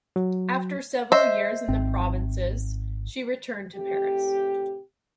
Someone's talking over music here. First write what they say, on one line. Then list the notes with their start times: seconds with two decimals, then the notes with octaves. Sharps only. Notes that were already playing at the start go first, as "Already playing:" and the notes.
After several years in the provinces she returned to Paris.
0.16 F#3
1.12 C5 D#5 E5
1.69 G#1 C4
3.76 A2 C3 G4